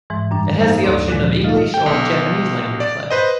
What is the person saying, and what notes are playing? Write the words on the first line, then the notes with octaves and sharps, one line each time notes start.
It has the option of English or Japanese-language play.
G#2 E3 G#3
F#2 G3 D4
A#3 D#4 C5 F5 G#5
D2 D4 A4 C#5 D5 C6
A#2 D3 F3 G#3
D#4 F4 A4 D#5 F5
G5
B1
D5
B4 C5 D#5